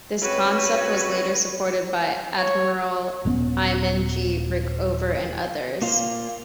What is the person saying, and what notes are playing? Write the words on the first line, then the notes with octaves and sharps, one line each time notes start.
This concept was later supported by Admiral Hyman G. Rickover and others.
C#2 C4 F#4 B4 C#5
C#5
D#1 G2 B3 C#4
A#3 F4